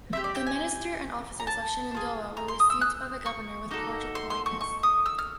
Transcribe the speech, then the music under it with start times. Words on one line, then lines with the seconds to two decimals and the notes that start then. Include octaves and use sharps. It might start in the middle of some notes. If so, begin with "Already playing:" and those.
The minister and officers of "Shenandoah" were received by the governor with cordial politeness.
0.13 C4 E5
0.16 E4 G4
0.24 D5
0.35 G5
0.46 G#5
1.40 A#5
1.47 A5
1.91 D4
1.95 F4 G#4
2.37 A#5
2.48 C6
2.60 D#6
2.70 E6
2.81 F#6
3.26 C#6
3.70 A#3 D#4 F#4 A4
4.15 C6
4.30 C6
4.46 C#6
4.61 C#6
4.83 D#6
5.06 E6
5.19 F6